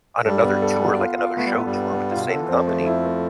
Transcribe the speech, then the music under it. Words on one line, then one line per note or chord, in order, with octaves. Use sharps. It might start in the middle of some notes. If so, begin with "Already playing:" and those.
on another tour, like another show tour with the same company,
G2 G3 A4
B3
A4
B3
F4
F4
A3 B3
G3
A2 A3 A4
G2 G3
B3
B3
B2 F4
C3
D3 A4
E3
F2 F3 C4
A3
E4
A3